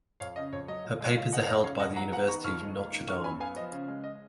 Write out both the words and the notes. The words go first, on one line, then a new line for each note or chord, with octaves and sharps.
Her papers are held by the University of Notre Dame.
F2 C#5 F5
C#3 D#5
F2 C#5
F#3 D#5
A#2
G#3
A#2 C#5 F5
B3 D#5 F#5
F5
F2 D#5
C#3 C#5 F5
F2 D#5 F#5
F#3 F#5 A#5
B3 F#5 A#5
D#3 A#5 C#6
F2 C#6 F6
G#3
A#3
D#3
F#2 C#6 F6
F#3 G#5 B5
B3 F5 G#5
F3 D#5
C#3
G#3
D#5